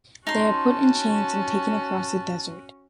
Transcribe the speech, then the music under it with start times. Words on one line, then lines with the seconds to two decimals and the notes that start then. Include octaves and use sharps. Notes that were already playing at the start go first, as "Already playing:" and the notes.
They are put in chains and taken across a desert.
0.27 C#4 D#4 F#4 A5 C6